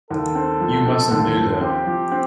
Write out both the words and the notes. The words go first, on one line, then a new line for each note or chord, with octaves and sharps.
You mustn’t do that.
D#2 A4
C4
F3
C4
D#2
F3
C4 G4
F3
C4